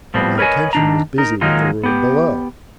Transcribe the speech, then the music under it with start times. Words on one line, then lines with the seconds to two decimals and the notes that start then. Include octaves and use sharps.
But my attention was busy with the room below.
0.14 A2 F3 G3 B3 C4
0.38 A#4 B4 C#5 D#5 G#5
0.73 D#3 D4 A#5
1.18 D#4 A#4
1.41 D#3 F#3 G#3 A#3 D#4 F4
1.83 B3 G4